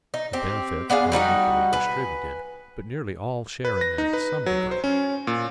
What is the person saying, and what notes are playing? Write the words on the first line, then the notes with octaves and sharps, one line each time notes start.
The benefits are unequally distributed, but nearly all share in them to some degree.
D#4
C4 G4
B3 D4 G#4 F5
G3 D#4 F#4 F#5
B4 G#5
B4
A#6
D#4
B4
F#3
C5
C#4
A#2